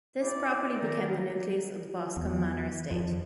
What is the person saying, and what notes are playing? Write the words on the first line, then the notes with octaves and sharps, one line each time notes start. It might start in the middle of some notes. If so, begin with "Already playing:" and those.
This property became the nucleus of the Boscombe Manor Estate.
E4 G4 D5
D#3 A#4
E2
F2 F3